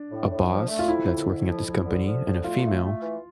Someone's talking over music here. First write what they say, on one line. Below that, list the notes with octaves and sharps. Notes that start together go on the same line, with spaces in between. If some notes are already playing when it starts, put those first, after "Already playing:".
a boss that's working at this company and a female
Already playing: D4
A2
A2
F3
A3
F4
F2 E4
D3
F2
F3
F3
D3
F3
D3
A3 F4
A3
A3
E3